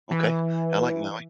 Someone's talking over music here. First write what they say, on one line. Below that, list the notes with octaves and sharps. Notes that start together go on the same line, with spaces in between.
Okay. I like Maui.
E3